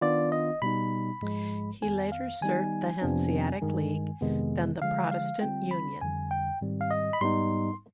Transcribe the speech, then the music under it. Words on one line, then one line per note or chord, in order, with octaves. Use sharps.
He later served the Hanseatic League, then the Protestant Union.
D#3 B3 D4 F4 D5
D#5
B2 G3 B3 D#4 B5
G#2 F3 G#3
F2 D#3 B3 G#5
F5
D#3 G3 B3 D#4 G#5
F2 C3 F3 B3 D4
G2 D#3 G#3
F2 C3 D#3 G#3 B3
D3 F3 G#3 F5
F5
D3 G3 C4 F4 G5
B5
F2 D3 G3 G#5
G5
G#2 D#3 G3 C4
F5
D#5
B5
G#2 G3 B3 D#4 C6